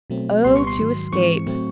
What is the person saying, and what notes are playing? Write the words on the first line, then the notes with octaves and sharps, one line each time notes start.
Oh, to escape!
B2 F#3 A3 C4
C2 A#2 G3 B3 C6
C#6
C6
G#2 D#3 F#3
G#2 E3 G#3 C4 C#6
A2 F#3 A3 C4